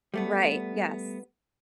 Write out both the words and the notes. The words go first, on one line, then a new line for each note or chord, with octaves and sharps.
Right, yes.
G3 A3 B3